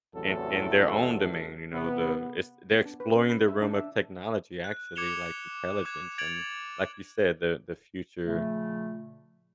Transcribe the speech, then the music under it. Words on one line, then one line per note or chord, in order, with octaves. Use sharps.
in in their own domain, you know, the it's they're exploring the realm of technology, actually, like, intelligence and like you said, the the future,
A1 E2 C3 F#3 A4
C3 B3
B3
D4
B4
C#4
B5
E5
D4
E5
F#6
D6 G#6 C#7 E7 F7 G7
D6 F#6 G#6 E7
G#6 A6 D7 F7 F#7
A#2 C#3 F3 A3